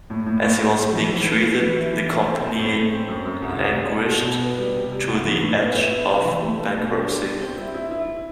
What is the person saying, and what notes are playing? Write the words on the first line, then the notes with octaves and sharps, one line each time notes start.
As he was being treated, the company languished to the edge of bankruptcy.
A2
A2
A2
G3
A3
E3
E3
A3
B3
E3
E4
E3
E4
C4
C4
A2
A3
C4
F#2
F#2
C2
C2
G3
B2
B2
B2
B3
G3
C3
C3
C2
E3
A2
B3
E4
E4
C3
E3
A3
A3
B2
D4
G3
G3
C4
E4
E4
E4